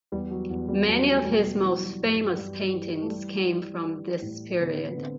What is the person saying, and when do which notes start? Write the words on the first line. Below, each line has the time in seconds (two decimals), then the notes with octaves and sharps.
Many of his most famous paintings come from this period.
0.12 E2 G3
0.31 F#3
0.50 E2
0.68 G3
0.87 E2 F#3
1.14 A3
1.24 B2 G3
1.61 E3 F#3
1.73 G3
1.85 F#3
1.99 G2
2.36 G2 G3
2.73 E3
3.02 A3
3.10 E3 G3
3.47 E3
3.85 E3
4.22 A2
4.60 D3 B3
4.91 B3
4.96 D3 C4